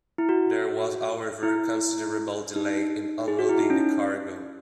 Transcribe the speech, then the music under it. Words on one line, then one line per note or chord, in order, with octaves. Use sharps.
There was, however, considerable delay in unloading the cargo.
E4
F#4
E4
D#4
G#4
F#4
E4
D#4
C#4